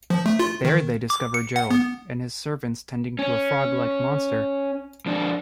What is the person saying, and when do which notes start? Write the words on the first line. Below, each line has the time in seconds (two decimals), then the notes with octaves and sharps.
There they discover Gerald and his servants tending to a frog-like monster.
0.10 F3
0.26 A3
0.39 F4
0.65 D#3
1.10 D6
1.34 C#7
1.56 F#5
1.70 B3
3.19 C#4
5.06 F2 D4